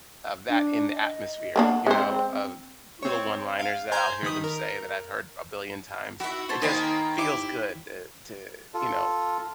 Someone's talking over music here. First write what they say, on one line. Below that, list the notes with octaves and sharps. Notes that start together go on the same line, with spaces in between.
of that in the atmosphere, you know, of little one-liners that I'll hear them say that I've heard a billion times. It just feels good to to, you know,
D4
D#5
A#3 B3 D4 F#5
G#3 C4 C5
C4 C#5
F5
C5 G#5 A#5 G6
D#3 B5 D#6
A#4
E4 F#4 E5
C5 C#5 A5
D#3 A#3 C4 D#5 G#5 B5
E4 G4 D6
F4 A4